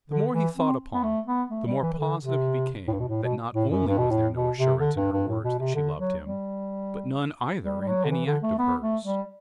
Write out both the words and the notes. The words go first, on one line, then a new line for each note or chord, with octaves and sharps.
The more he thought upon it the more positive he became that not only was there no assurance in her words that she loved him, but none either in any act of hers.
D3
E3
C4
B3
A3
B3
A3
G3
E3
E3
D3
C3
A2
G2
B2
A2
B2
A2
F#2
G2
B2
A2
B2
C3
D3
G2
G2
A2
B2
C3
D3
F#3
G3
G3
G3
F#3
D3
E3
D3
A3
B3
A3
G3